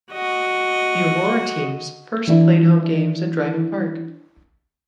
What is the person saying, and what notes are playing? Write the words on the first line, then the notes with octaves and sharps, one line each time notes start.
The Aurora teams first played home games at Driving Park.
F#4 D#5
E3 D4 E4